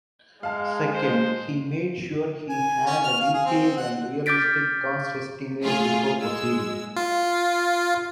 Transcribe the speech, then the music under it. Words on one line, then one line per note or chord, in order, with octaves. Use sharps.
Second, he made sure he had a detailed and realistic cost estimate before proceeding.
G#3 F5 A5
C5
G#5
C#4
F6
F5
G#4
C4
F#5
D6 F6 G6 A6 B6 D7
A3 F4 G#4
G#3 E6
F4